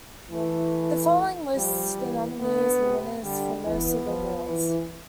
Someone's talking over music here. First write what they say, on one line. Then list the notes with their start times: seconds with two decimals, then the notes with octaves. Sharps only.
The following lists the nominees and winners for most of the awards.
0.30 E3 A3
1.55 F3 G3
1.97 E3
2.39 D3 B3
2.81 C3
3.22 D3 G3
3.64 E3 B3
4.05 F3
4.47 E3